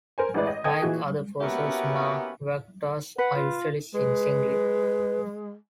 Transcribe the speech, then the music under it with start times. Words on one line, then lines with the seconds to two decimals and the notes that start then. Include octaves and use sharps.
Like other "Phocoena", vaquitas are usually seen singly.
0.18 A#4 C5 G#5
0.34 A1 G#3 E4 B4 D5
0.47 D#5
0.64 A4 D#5 G5 D#6 G#6
0.82 A#2 E3 F#4 G#4
1.41 A#3 B3 C#4 E4 F#4 G4
3.18 B4 F#5
3.35 F4
3.94 G#3 B4